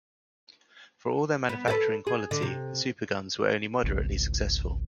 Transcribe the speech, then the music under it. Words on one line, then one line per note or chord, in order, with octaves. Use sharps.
For all their manufacturing quality the superguns were only moderately successful.
B3
A4 B4
G#4
D3
C3
G#1 C#2